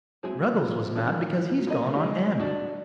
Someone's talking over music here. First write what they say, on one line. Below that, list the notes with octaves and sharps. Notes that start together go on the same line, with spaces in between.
Ruggles was mad because he's gone on Em.
F#3 G#3 C4 E4 G#4 C5
F3
F3
E3 G#3 C#4 E4 A4 C5
D#3
E3
F3
F#3
A#3 B3 E4 G#4 C5 D#5
A3
G3
G#3
F#3 D4 F#4 A4